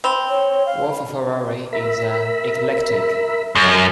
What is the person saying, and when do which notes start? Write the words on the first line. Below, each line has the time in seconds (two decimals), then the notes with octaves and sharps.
Wolf-Ferrari is an eclectic.
0.04 C4 B5 F7 G7
0.30 C#5
0.66 F5
1.73 A#4 E5 B5
3.55 F#2 A4 D#5